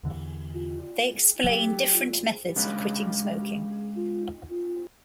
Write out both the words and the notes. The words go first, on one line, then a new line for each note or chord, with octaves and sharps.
They explain different methods of quitting smoking.
E2 D3 E3
F#3 A3 G4
G#3 C#4 D4 B4 F5